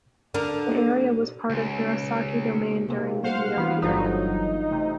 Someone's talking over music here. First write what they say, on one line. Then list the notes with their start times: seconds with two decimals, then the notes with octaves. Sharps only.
The area was part of Hirosaki Domain during the Edo period.
0.34 D3 D4 A#4
1.50 C#2
2.89 C3 A#3
3.23 G3 A3 A#3 C5 F5 F#5
3.58 E3 B3 D4 F#4
3.82 G1 G2 F#3 D#4 F4 A4 C5
4.71 C3 A3